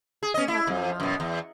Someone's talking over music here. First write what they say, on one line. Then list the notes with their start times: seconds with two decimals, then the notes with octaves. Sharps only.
He had no mouth.
0.23 G#4
0.34 C#4 D#5
0.48 E4
0.67 F2
1.00 F#2 B2
1.20 E2